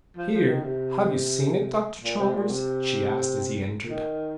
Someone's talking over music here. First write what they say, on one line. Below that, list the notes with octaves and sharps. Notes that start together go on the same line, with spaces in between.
"Here; have you seen it, Doctor Chalmers?" she asked as he entered.
F3
F3
D#3
C3
A#2
C3
A#2
C3
D#3